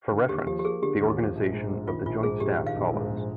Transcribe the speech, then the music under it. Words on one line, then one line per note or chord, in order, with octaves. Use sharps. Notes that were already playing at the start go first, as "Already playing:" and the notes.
For reference, the organization of the Joint Staff follows.
D3
D#2 G4
F3 G4
G4
A#3 G#4
D3 G4
D#2
F3
A#1
G#2
A#1
D#3 F4
A#1 F4
G#2 G#4
A#1 G4
D#3
F5
A#1
G#2
A#1